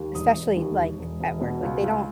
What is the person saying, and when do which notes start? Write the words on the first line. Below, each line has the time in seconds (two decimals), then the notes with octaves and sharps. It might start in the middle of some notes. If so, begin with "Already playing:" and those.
especially, like, at work, like, they don't
Already playing: D#2
0.15 E1 D#6
0.36 E1
0.57 D#2
0.78 E1
0.99 E1
1.20 E1
1.41 B2
1.63 C#2
1.84 C#2